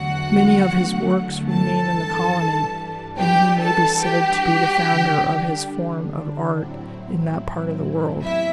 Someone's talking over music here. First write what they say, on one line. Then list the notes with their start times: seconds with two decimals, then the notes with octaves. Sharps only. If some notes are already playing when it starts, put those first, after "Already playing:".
Many of his works remain in the colony, and he may be said to be the founder of his form of art in that part of the world.
Already playing: E2 D3 F#3 A3 F#4 F#5
1.49 G2 E3 G3 A4 A5
3.17 E3 G3 D4 F#4 G4 B4 G5
3.59 A4 A5
4.02 G4 G5
4.85 D3 G3 D4
6.53 A2 F#3 C4 E4
8.21 E2 C3 E4 E5